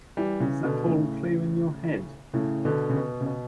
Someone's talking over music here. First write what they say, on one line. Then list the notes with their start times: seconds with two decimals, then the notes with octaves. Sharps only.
Is that all clear in your head?
0.17 E3 G3
0.40 C#3 E3
0.64 B2 D3
0.87 A2 C#3
2.34 A2 C#3
2.65 B2 D3
2.90 C#3
2.96 B2
3.21 C#3
3.26 B2